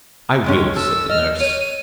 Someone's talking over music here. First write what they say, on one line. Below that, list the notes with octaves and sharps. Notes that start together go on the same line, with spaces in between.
"I will," said the nurse.
D#3 G#3 C#4
A4 E6
D#5 F6
C#5 D#7
D#7